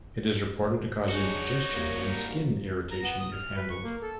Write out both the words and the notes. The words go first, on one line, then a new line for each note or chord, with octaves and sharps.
It is reported to cause indigestion and skin irritation if handled.
G2 G#3 D4 D#4 F#4 C#5
C2 A#3
A#5
B3
D#6
F6
B4
C#6
A#3
A4